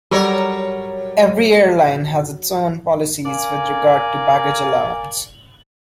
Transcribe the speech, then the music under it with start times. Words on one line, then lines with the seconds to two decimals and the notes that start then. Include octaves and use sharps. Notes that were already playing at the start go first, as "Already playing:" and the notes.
Every airline has its own policies with regard to baggage allowance.
0.11 F#3 G3 A4 A#4 C#5 D5
3.26 A#4 D5 F5 G#5